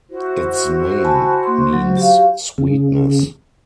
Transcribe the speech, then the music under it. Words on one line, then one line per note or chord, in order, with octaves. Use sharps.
Its name means "sweetness".
E4 F#4 C5
G#5 A5 B5
A#3 C6
F#3
G4 F5
C#3